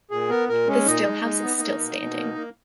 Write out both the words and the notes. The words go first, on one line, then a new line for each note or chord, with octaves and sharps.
The stillhouse is still standing.
A#2 G#4
B3 A#4
A#2 A#4
G#3 C#4
A#2 D#4
G#3
G#3
B3
A#3
B2
B2
A#3
A#3